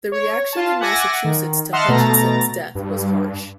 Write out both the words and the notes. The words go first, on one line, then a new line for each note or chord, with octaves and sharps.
The reaction in Massachusetts to Hutchinson's death was harsh.
C#5
F4 A5
E5 F#5 G#5 D6 A6 A#6
D#3
D#5 E5 F#5 A5 C6 F6
B2 A3 A#5 A6
G2